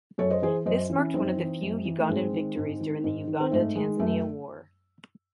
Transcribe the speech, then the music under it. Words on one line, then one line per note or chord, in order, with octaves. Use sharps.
This marked one of the few Ugandan victories during the Uganda–Tanzania War.
F#2 A4 C#5
C5 D#5
E3 G#4 C5
F#2 C5 D#5
E3
C#4 E4
F#2 C4 D#4
E3
F#2
E3
A3
G#2 G#3 C4
D#3
G#2
D#3
G#2
D#3
C4
G#2 A3
D#3 G#3
F#2 A3